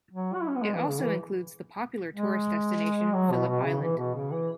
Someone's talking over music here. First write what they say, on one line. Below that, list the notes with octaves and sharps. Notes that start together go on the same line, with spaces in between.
It also includes the popular tourist destination, Phillip Island.
F#3
F#4
E4
C#4
B3
G#3
E3
C#3
E3
G#3
F#3
B2
B2
C#3
E3
B2
C#3
E3